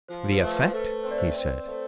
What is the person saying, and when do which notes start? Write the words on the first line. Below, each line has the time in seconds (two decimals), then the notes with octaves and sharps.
"The effect?" he said.
0.08 F3 C5
0.32 B4
0.40 A3
0.55 B4
0.70 A3 C5
0.80 B4
1.03 C4 C5
1.11 D5
1.18 C5
1.35 C4
1.66 A3